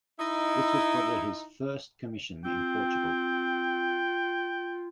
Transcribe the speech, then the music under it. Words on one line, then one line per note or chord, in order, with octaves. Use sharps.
This was probably his first commission in Portugal.
D#4 E4
C4 F4 G5